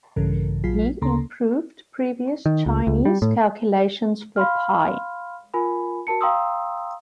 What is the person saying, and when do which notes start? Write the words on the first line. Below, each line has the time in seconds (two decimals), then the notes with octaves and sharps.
He improved previous Chinese calculations for pi.
0.16 A#1 G2 C#3 E3 A4 A#4
0.64 A#1 F#3 F4 G#4 B6 C7
1.02 D2 C#3 A#3 A4 A#5 C6
2.46 D#3
2.66 C#2
2.87 C#2
3.05 G3
3.22 A2
4.36 F5 B5 C6 F6
5.54 F4 A#4 G#5 B5
6.07 F#4 A#4 A5 C#7
6.21 F5 G5 A#5 C6 D#6 E6